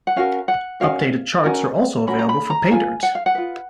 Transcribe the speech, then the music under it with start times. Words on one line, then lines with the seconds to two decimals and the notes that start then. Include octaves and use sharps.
Updated charts are also available for Paydirt!
0.07 F#5
0.16 C#4 F#4 A#4 F5
0.48 F#5
0.80 C#4 F#4 A#4 F5
1.44 C#4 F#4 A#4
2.07 C#4 F#4 A#4 B5
2.19 A#5
2.29 B5
2.50 A#5
2.71 F4 B4 G#5
3.03 F#5
3.15 F5
3.26 F#5
3.35 F4 B4